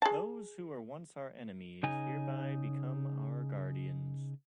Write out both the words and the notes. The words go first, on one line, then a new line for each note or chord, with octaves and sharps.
Those who were once our enemies hereby become our guardians.
G#4 A5
C#3 D#4 G#5